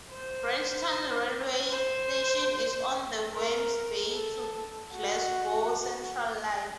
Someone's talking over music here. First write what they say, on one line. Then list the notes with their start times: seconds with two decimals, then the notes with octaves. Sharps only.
Branchton railway station is on the Wemyss Bay to Glasgow Central line.
0.10 C5
1.70 C5
3.32 A#4
4.12 A4
4.92 F#4